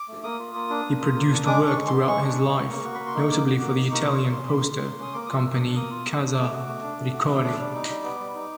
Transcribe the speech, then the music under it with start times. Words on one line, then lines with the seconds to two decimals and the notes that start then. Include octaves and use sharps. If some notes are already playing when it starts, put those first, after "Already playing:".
He produced work throughout his life, notably for the Italian poster company Casa Ricordi.
Already playing: D6
0.08 A3
0.24 A#3 D#6
0.39 F4
0.55 A#3
0.70 D4
0.85 A#3
1.00 F4
1.15 A#3
1.31 D4
1.46 G#3 D6
1.61 D4
1.67 C#6
1.77 G#3
1.88 B3 C6
2.07 G#3 C#6
2.23 D4
2.38 G#3
2.53 B3
2.68 A#3
2.84 F#4
2.95 A#3 B5
3.07 C6
3.15 D#4 C#6
3.30 A#3 D6
3.45 F#4
3.60 A#3 D6
3.76 D#4
3.91 A#3 C#6
4.04 F4 D6
4.12 C#6
4.22 A#3
4.32 C6
4.37 C#4
4.48 B5
4.52 A#3 C6
4.68 F4
4.84 A#3
4.98 C#4 D#6
5.14 A#3 D6
5.26 F4 D#6
5.34 E6
5.44 A#3
5.55 D4 D#6
5.75 A#3 D#6
5.90 F4
6.06 A#3
6.21 D4
6.36 A3 D6
6.51 F#4
6.67 A3
6.82 D4
6.98 A3
7.12 F#4
7.28 A3
7.44 D4
7.59 G3
7.74 D#4
7.89 G3
8.04 B3
8.20 G3
8.35 D#4